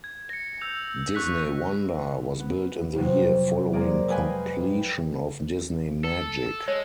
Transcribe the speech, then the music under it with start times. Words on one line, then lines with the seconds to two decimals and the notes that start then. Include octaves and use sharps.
"Disney Wonder" was built in the year following completion of "Disney Magic".
0.04 G#6
0.30 A#6 C#7
0.61 E6 G6 F7
1.15 C#6 F#6 B6
2.40 B3
2.96 F2 C3 F#3
3.73 G#3 A#3 C4 G#4 A#4 D5
4.10 B4 D#5 F5 G5 G#5
6.05 A4
6.68 G#3 C#5